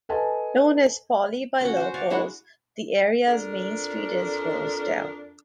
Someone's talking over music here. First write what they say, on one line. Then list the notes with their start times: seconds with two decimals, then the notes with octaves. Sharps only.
Known as Poly by locals, the areas main street is Rosedale.
0.09 A4 B4 D#5 F5 G#5 A5
1.61 C#4 F#4
1.77 F#4 C5
1.94 D5 F5 C#6
2.10 G#3 D4 E4 F#4
3.27 F2 D4 A4 A#4